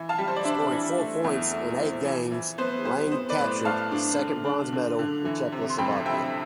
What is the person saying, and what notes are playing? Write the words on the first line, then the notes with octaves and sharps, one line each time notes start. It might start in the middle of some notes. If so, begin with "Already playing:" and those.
Scoring four points in eight games, Lang captured his second bronze medal with Czechoslovakia.
Already playing: E3
F5 A5
G3
C5
D5
D4 C5 E5
E3
A3
E2
A3
F3
E3
E3
B3 C5
G3 C5
B3 C5
B4 D5
A2
C5
A2 F5 A5
D4
D3
D4
D3
D3
E3
C3
C6
F2 G5 B5
C3 E5 G5